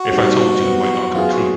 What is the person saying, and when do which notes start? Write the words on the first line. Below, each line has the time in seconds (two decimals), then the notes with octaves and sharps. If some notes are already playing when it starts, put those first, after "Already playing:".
If I told you it might not come true.
Already playing: F#4
0.10 G3 C4 D#4 G4 C5
0.62 F#3 B3 E4 G4
1.14 F#3 B3 E4 F4 G#4
1.31 F#4